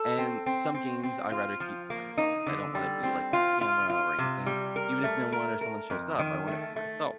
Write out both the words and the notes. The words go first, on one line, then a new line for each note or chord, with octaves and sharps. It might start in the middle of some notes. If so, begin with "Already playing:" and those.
and some games I rather keep for myself. I don't wanna be, like, on camera or anything. Even if no one or someone shows up, I want it for myself,
Already playing: A4
C4
C4
C4
C4
F4
F3
A#3
D#4
D3
G3
C4
F4
F4
F4
C3
G3
A#4
A3
A#4
A#4
F2
D#3
A3
A3